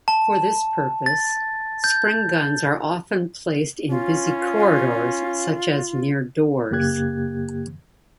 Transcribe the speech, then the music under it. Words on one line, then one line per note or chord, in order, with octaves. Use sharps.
For this purpose, spring-guns are often placed in busy corridors such as near doors.
A5
A6
G6
C#4 F4
F#2 C#3 A#3 G4 F#6 G#6